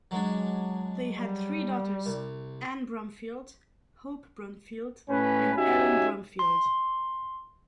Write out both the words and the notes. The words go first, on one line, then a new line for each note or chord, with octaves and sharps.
They had three daughters, Ann Bromfield, Hope Bromfield and Ellen Bromfield.
F#3 G#3 D4
G3
C2
A2 C#4 B4
C#4 D#4 F#4 G4 E5 G#5
C6